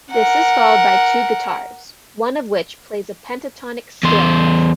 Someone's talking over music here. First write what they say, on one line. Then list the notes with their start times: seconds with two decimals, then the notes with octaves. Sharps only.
This is followed by two guitars, one of which plays a pentatonic scale riff.
0.12 A#4 F#5
4.03 E2 C5